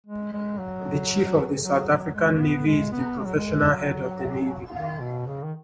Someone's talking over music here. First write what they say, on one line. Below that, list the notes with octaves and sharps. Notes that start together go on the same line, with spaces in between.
The Chief of the South African Navy is the professional head of the Navy.
G#3
G#3
F#3
F#3
F#3
G#3
B3
G#3
B3
G#3
F#3
G#3
F#3
D#3
B2
C#3
D#3